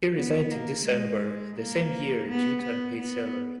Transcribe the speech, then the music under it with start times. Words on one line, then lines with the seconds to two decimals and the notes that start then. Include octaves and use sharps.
He resigned in December the same year due to unpaid salary.
0.16 B3
0.51 A#3
0.87 G#3
1.57 A#3
2.29 B3
2.63 B3
2.99 B3